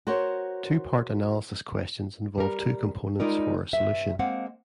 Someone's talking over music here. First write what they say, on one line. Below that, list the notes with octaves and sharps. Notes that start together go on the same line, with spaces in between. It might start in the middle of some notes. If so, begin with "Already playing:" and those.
Two-part analysis questions involve two components for a solution.
F#4 A#4 C5 C#5
G3 A#4
G3 G#3 D#4 F4 A#4 D5
G2 E5
G#3 A#3 C4 F5 F#5